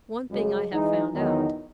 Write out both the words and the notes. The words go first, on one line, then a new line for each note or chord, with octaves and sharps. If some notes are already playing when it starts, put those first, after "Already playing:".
One thing I have found out.
F#2 C#3 G#3
E3 G#3 D#4
E2 D#3 F#3 B3 D#4